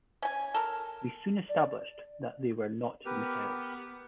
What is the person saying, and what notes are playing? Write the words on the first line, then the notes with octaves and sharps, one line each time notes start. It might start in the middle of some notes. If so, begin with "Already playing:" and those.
We soon established that they were not missiles.
C#4 G#5
A4 A#4
D5
B3 G4 A#4 B4